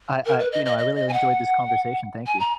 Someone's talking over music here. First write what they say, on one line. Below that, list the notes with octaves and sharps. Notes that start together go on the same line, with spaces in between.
I I, you know, I really enjoyed this conversation, thank you.
A#4
B4
D#5
D#5
D#5
D#5
G#5
F#5
G#5
A#5